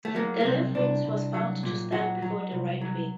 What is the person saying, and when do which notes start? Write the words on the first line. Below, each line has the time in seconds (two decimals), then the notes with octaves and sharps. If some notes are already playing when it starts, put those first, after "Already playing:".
The left wing was found to stall before the right wing.
0.05 A3
0.15 F#3 A#3
0.41 A#3
0.45 C2 C4
0.75 C2 D4
1.04 C2
1.34 F#3
1.63 A#2
1.92 F#3 F#4
2.22 F#3
2.52 C2
2.81 F#3